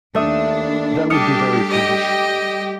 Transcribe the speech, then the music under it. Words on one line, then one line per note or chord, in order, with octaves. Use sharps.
That would be very foolish.
D#2 A3 D4 E5 D#6
G3 D4 G4 D#6 F6 C#7
D#5 G5